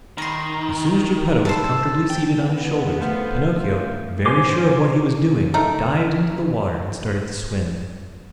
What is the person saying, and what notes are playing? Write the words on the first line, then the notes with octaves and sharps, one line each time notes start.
As soon as Geppetto was comfortably seated on his shoulders, Pinocchio, very sure of what he was doing, dived into the water and started to swim.
D#3 A#5 C6
A4 C5
G5
B3
A3 F4 C5
C5 C#5 G#5 C6 D6
A3 D#4 A#4